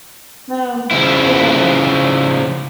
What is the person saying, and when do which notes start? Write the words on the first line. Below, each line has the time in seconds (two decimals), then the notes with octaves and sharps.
Oh my goodness.
0.91 C#3 F3 E4